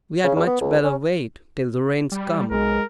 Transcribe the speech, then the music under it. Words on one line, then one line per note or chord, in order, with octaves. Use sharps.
We had much better wait till the rains come.
C#3
E2
B3
C#2
C#4
G3
B1 G#3 A#4